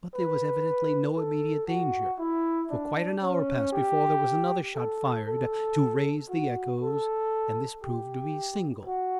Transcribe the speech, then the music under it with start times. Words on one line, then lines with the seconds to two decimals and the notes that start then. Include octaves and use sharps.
But there was evidently no immediate danger, for quite an hour passed before there was another shot fired to raise the echoes, and this proved to be single.
0.14 B4
1.17 A4
1.67 F#4
2.19 E4
2.71 D4
3.22 C#4
3.73 G4
4.76 A4
5.27 A4
6.29 F#4
6.80 A4
7.83 G4
8.85 F#4